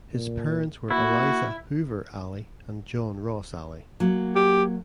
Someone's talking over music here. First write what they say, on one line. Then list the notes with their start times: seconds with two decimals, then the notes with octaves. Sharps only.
His parents were Eliza "Hoover" Alley and John Ross Alley.
0.13 A#2
0.91 A#3 E4 F#4
4.00 F#3 A#3
4.35 G4